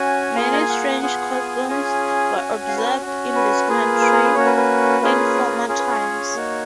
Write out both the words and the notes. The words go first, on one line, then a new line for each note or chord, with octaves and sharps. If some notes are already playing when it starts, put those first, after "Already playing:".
Many strange customs were observed in this country in former times.
Already playing: C#4 F#4 G#5
A#3 F4 G#4
D#5
F5
F#5
B3 F4 G#4
G#5
C#4 F4 G#4 G#5
C#4 F#4
F5
B4
A#4
C#4 F#4
B4
A#3 F4 G#4
B4
A#4
B4
A#3 C#4 F#4 C#5
B4
B4
A#3 C#4 F4 G#4
A#4
B4
C#4 F4 G#4 A#4
B4
C#5
C#5
A#3 D#4 F#4